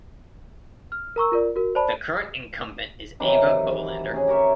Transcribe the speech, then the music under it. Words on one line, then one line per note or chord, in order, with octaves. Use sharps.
The current incumbent is Eva Bolander.
F6
A#4 A#5 C#6 E6
F4 A#4 D5
F#4 A#4
C5 D5 A5 B5
C3 D#3 E3 F#3
C#4 G#4
G4 A#4 C#5 E5